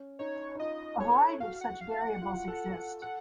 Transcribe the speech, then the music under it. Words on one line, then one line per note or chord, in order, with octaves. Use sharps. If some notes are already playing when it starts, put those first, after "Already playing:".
A variety of such variables exist.
Already playing: C#4
D#4 C#5
D#4
F4 D#5
A4 C#5
F#4 F5
F#5
F5
F#5
F4
A4
A4
A4 F#5